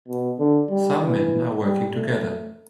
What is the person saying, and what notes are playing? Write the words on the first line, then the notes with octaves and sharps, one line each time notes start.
Some men are working together.
B2
D3
G3
E3
G3
A3